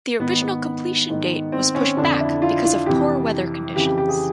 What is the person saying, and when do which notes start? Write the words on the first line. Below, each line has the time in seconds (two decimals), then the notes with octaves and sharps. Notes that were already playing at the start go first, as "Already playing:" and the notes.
The original completion date was pushed back because of poor weather conditions.
0.19 G#2 D#3 B3
0.42 B3
1.09 G#2 D#3
1.52 C4
1.75 C#4
1.97 F2 D3 D4
2.20 E4
2.42 F4
2.65 F4
2.86 F2 C3 E3 G4
3.75 F2 C#3 E3 G4
3.87 G4
3.98 G4
4.09 G#4